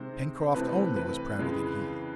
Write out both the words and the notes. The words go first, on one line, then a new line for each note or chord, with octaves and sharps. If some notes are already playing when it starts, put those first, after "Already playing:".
Pencroft only was prouder than he!
Already playing: C3 D#3 G#3 C4 C5
C3 E3 A3 C4 B4
B4
F2 C#3 E3 G#3